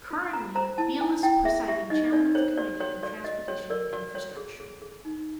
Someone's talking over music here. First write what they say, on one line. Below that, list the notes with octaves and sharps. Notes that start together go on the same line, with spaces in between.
Currently, Beale is presiding Chairman of the Committee on Transportation and Infrastructure.
F4
F4 A#5
C5 A#5
E4 A5
E4 G#5
E4 G5
G#4 E5
G4 E5
D#4 D#5
D#4 D5
C5 C#5
F#4 D5
F#4 C#5
F#4 D5
F#4 D#5
F#4 C#5
A#4 D5
F#4 D5
F#4 C#5
G#4
G#4
G#4
D#4